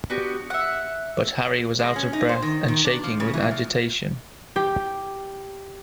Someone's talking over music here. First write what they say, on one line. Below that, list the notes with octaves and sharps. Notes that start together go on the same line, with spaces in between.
But Harry was out of breath and shaking with agitation.
B3 D4 F#4 G4
E5 F#5
G#3
C#4
D#4
C5
D#3
D#3
D4
F3
C#3
E3
F3
G4